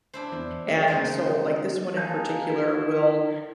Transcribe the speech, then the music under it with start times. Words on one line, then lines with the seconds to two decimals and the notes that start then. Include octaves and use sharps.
and so, like, this one in particular, will
0.14 D4 E4 C5
0.32 E2
0.68 G#3
0.88 C#3 A#4 C5
1.97 D#4 G#4 F5 A5 G6
2.49 E4